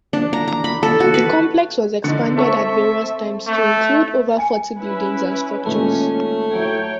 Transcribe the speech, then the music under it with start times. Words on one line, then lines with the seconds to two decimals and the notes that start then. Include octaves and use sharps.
The complex was expanded at various times to include over forty buildings and structures.
0.13 D4
0.33 A#5
0.48 A#5
0.64 B5
0.83 A4
1.00 F#4
1.14 B4
2.04 D3 D#4
2.36 C4 A4 E5 C#6
3.47 A3
4.38 G#5 C#7
4.79 C#4 E4 B4
5.66 A#2 D#3 G#3 A3 C#4
6.53 F#3 E4 C#5 G5